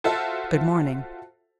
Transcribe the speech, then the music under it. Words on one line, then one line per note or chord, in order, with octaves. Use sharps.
"Good morning."
F4 F#4 A4 C5 E5 A5